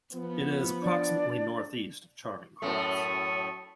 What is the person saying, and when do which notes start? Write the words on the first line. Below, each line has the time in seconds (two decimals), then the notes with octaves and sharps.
It is approximately north-east of Charing Cross.
0.13 F3 B3
0.81 D4 D5
2.62 F#2 A2 A3 A5 C#6 D#6